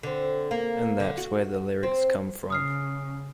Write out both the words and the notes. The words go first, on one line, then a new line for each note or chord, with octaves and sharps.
And that's where the lyrics come from.
D3 C4
A#3
D3
F#4
C4
C#3 D#6 F6 C7